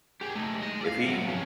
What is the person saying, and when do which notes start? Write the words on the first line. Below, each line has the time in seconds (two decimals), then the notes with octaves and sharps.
if he
0.21 G4 G#4
0.36 A3 D#4
0.62 G#3 D#5
0.81 D5 F5
1.06 C3 F#3
1.27 F3 C#4